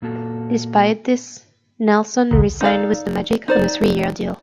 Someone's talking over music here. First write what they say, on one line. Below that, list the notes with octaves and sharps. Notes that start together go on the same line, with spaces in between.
Despite this, Nelson re-signed with the Magic on a three-year deal.
A#2 A#3 F#4 A4 A5
A#1 D#2 B2 D3
D#4 A4 D5 F5
D#4 C5 D5